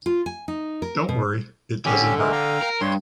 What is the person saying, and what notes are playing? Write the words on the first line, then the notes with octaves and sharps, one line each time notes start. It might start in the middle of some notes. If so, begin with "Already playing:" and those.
Don't worry, it doesn't hurt.
F4
G#5
D#4
A#4
B2
D3 C#4 G4
G#3 A3 A#4
F5 G5 A#5
A#4
G2 C#5 C6